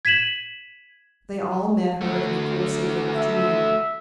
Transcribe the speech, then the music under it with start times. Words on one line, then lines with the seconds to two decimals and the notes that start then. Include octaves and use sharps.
They all met her in the course of the afternoon.
0.05 G#6 B6 D#7 E7 F#7
2.01 A3 F#4
3.17 E5